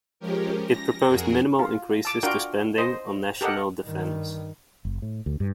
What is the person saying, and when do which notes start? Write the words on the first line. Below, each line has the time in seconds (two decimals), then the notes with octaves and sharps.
It proposed minimal increases to spending on national defence.
0.20 F3 G#3 C#4 G4 A#4
0.67 A#6
1.07 F2 F#4 G#4 A#4
1.59 F4
2.05 A5 D6
2.23 D4 F4 F#4 A#4 G5
2.78 C5 D#5
3.41 G4 A4 A#4 D#5 F#5
3.83 G2 D#3
4.85 F#1
5.02 A2
5.26 D2
5.40 G2